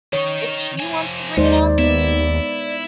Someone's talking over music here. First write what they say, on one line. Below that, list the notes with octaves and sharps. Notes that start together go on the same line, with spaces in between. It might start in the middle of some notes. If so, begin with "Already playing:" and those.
If she wants to bring it up,
D#3 D#4 C#5
F3 G#5
D#2 G#3 D#4 C5 D5
B3 E4